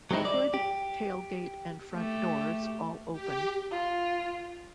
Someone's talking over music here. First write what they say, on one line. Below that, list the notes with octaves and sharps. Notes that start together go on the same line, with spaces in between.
Hood, tailgate, and front doors all opened.
F#3 G#3 C4 D#4 E4
D5
G4
A3 G4
G4
F4